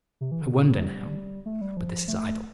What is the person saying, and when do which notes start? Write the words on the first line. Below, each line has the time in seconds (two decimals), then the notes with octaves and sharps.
I wonder now--But this is idle.
0.21 C3
0.32 E3
0.42 D3
0.52 A#2
0.78 A3
0.83 G3
1.46 A3
1.61 G3
1.77 F3
2.08 A3